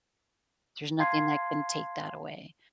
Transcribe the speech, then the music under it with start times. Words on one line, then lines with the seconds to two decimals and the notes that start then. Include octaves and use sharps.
There's nothing that can take that away,
0.99 F5 A5 C6 G#6 C7